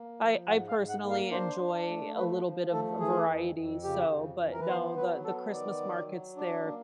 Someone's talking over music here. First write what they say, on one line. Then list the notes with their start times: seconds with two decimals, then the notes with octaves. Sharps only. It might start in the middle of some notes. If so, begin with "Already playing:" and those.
I I, personally, enjoy a little bit of v variety, so but no, the the Christmas markets there
Already playing: A#3
0.19 F3
0.47 G#2 F#5
0.68 F5
0.76 G#2
0.89 F#5
1.04 A#3
1.10 F5
1.31 D4 C5
1.60 D4
1.88 A3
2.16 F3 B4
2.44 F3
2.72 A3 A4
3.00 E3 G#4
3.29 F2
3.56 F2
3.84 C#3 G4
4.12 F2
4.40 E3
4.52 A#4
4.60 B4
4.68 B3 C5
4.96 F#3 B4
5.24 B3 A4
5.52 D#3 D5
5.81 F#3
6.09 F#3
6.37 D4
6.65 A#3